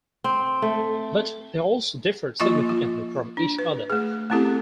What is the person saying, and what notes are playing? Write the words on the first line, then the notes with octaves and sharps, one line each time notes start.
But they also differed significantly from each other.
C4
A3
F3 A#3 F4 D#5 C6 C#6
F4
D4
B4
A3 G#4
A3 B3 C4 E4 G4 A4